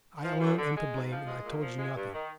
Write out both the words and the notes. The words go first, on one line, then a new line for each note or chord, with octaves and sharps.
I alone am to blame, and I told you nothing.
F3
F#2
D3
G#3
G#2
F3
G#3
A#2
F3
G#3
G2
D#3